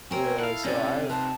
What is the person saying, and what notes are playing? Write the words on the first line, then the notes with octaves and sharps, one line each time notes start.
yeah, so, I, w
A#3 C4 A#4 C#5 G#5
E4 A4 F5 F#5
C3 C#4 D5
D#4 B4 A5 C6